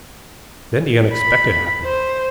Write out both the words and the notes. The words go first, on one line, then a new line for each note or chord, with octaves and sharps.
Then the unexpected happened.
B5
C5